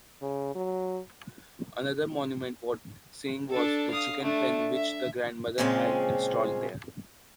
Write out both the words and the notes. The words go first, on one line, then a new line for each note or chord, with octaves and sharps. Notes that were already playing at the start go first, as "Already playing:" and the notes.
Another monument wort seeing was the chicken pen which the grandmother had installed there.
C#3
F#3
D4 A4
F5 D#6
A3 D4
E5
A#2 C#3 F3 G#3 C4 C#4